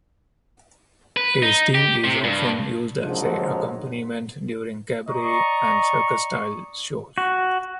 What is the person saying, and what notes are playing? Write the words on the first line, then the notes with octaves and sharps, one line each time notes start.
A sting is often used as accompaniment during cabaret- and circus-style shows.
B4
D#4
G4
C3
G2
A#1 F2 G#2 D3 F3 F#3
D5 D#5 A#5 C#6
F#4